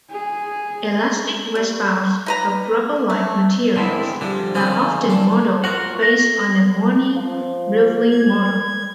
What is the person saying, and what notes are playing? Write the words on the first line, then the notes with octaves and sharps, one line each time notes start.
Elastic response of rubber-like materials are often modeled based on the Mooney-Rivlin model.
G#4
G3
D#4 B4 A#5
A3
G#2 D3 C4 E4
D3 F3 G3
C#3 G#3 C4
D4
F4 F#4 A#4 F#5
A#6
F3
G#6